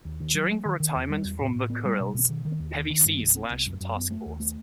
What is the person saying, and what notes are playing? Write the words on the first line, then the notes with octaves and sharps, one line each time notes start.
During the retirement from the Kurils, heavy seas lashed the task force.
D#2
D#3
F#3
A3
D#3
D#3
E2
G3
E2
A2
A2
B3
G3
B2
B2
D#3
D#3
D#2
D#3
D#3
G2
C2
C4
C2
F#2
F#2
B3
A3
D#2
A3